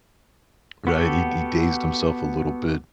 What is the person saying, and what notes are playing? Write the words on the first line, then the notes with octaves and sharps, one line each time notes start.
Right? He d he dazed himself a little bit.
B3 F#4 G4 A4